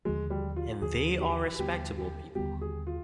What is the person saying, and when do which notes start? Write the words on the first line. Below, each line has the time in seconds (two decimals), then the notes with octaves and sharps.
And they are respectable people.
0.05 D#2 D3 F3 G#3
0.30 G3
0.56 F4
0.82 D#2 D3 F3 G#4
1.20 G4
1.59 D#2 D3 G3 B3 G4
1.98 G4
2.35 D#2 D3 G3 B3 G4
2.61 G#4
2.87 F4